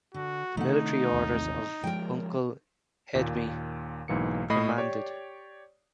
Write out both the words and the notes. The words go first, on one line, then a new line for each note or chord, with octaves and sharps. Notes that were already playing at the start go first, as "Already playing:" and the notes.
The military orders of Uncle Edme commanded.
D3 F#4
C3 D#3 A3 D#4 F#5
A1 D#2 C3
F3 G#3 A#4 G5
D#2 A#2
B1 G#2 E3 A#3 C#7
A2 A3 D#5 B5 C7
G4 C#5 D5